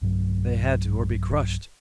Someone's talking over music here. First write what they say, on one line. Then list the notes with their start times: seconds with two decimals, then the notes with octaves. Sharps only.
They had to, or be crushed!
0.02 B1 G2 F#3